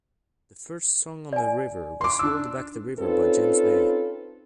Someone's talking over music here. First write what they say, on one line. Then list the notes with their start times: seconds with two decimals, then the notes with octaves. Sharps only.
The first song on "The River" was "Hold Back the River" by James Bay.
1.33 D5 G#5
2.01 C6 D6
2.19 D4 E6
2.99 C4 C#4 D#4 F4 A4 B4